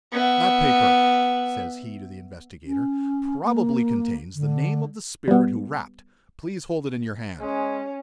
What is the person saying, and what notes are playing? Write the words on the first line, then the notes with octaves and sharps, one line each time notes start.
"That paper," says he to the investigator, "probably contains the name of the spirit who rapped; please hold it in your hand."
B3 E5
C#4
A#3
D3
G3 B3
G#3 C#4